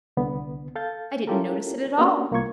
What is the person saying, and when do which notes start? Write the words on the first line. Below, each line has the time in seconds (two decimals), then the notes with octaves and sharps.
"I didn't notice it at all."
0.17 C2 D3 B3
0.76 A4 F5 G6 A6
1.27 C#4 E4 F4 G4 A4 A#4
1.98 A#3 B3 C#4 D4 F#4 G4
2.31 C2 A#3 F4 C#6 G#6